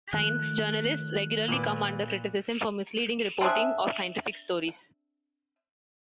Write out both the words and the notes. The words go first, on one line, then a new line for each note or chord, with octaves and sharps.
Science journalists regularly come under criticism for misleading reporting of scientific stories.
D#3 F3 A3 F#6
A#2 B4 D6
C4 D4 G#4 E5